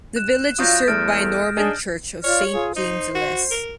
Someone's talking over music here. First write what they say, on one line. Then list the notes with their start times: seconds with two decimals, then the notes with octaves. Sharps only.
The village is served by a Norman church of Saint James the Less.
0.16 F#6 E7
0.59 F#3 D4 F4 D#6 G6 A#6
0.88 E2 A3 F6 A6 D7
1.55 D4 D#4 G#4
2.24 F4 C#5 D5 F6
2.53 F4 G#4
2.76 D#4 C5
3.15 F#4
3.51 A#4